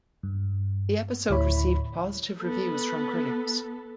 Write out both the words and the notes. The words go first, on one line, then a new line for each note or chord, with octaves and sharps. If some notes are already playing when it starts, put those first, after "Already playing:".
The episode received positive reviews from critics.
G2
D2 A2 E4 C#5 B5
B3 A4